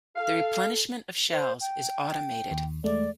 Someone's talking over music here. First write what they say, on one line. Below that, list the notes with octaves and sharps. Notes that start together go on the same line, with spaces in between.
The replenishment of shells is automated.
A4 F5
C5
G5
D#2
E2 G#3 A3 D5